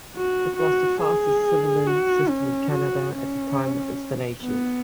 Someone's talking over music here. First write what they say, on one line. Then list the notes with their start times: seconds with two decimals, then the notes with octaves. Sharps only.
It was the fastest civilian system in Canada at the time of installation.
0.16 F#4
0.57 F#4
1.01 G#4
1.87 F#4
2.29 C#4
2.72 F#4
3.15 C#4
4.43 B3